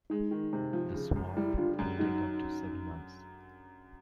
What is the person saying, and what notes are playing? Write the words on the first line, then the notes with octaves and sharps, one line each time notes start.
The swap could take up to seven months.
G#3 D#4
D#3
C3
F3
C#3
F#2
G3 E4
D3 F4
F#2
F#3 D#4